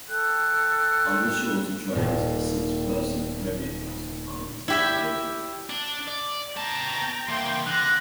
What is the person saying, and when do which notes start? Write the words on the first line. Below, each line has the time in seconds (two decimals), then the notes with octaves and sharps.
On the shorter trains, a six-person Premier Class compartment is available.
0.09 A4 G5 F#6
1.95 D#1 A#2
4.68 E4 G4 E5
5.70 D4
6.08 D5
6.57 B3 G5 A5 A#5
7.29 E3 A#3 G5 C6
7.67 D3 F#6 A#6